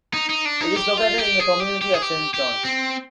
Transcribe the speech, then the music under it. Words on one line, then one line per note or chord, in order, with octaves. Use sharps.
It is located in the community of Saint Johns.
D#4
D#4
D4
D#4
G4
F4
G4
G#4
G4
G4
G#4
G4
G4
C4